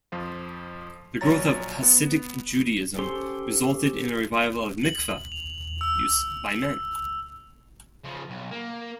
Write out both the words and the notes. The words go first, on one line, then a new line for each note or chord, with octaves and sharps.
The growth of Hasidic Judaism resulted in a revival of mikveh use by men.
F2 F3 F4
A#1 F#3 C#5 A#5 A6
B3
C#4 G4 A4 C5 C6
F#7
F7
E6
C#3 F3
B1
A#3